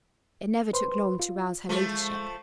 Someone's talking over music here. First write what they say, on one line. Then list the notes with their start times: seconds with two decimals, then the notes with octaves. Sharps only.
It never took long to rouse her ladyship.
0.73 B4 C5 C6
1.20 F4
1.69 F3 G#3 A3